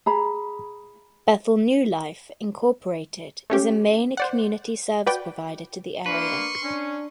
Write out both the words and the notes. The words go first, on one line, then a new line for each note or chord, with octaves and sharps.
Bethel New Life, Incorporated is a main community service provider to the area.
G#4 A#5 B5
A3 C#4 G4
C5 D5 F#5
F#4 B4 D5 G5
A#3 D4 B4 C6 C#6
C#4 D4